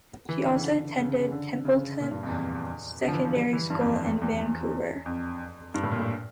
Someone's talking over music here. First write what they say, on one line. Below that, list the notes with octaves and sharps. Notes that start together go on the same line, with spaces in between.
She also attended Templeton Secondary School in Vancouver.
E3
D3
C#3
D3
C#3
C#3
D3
C#3
A#2
G2
F2
E2
F2
D3
F3
E3
F3
G3
E3
G2
F2
F2
E2
E2
E2
F2
G2
A2
A#2
A2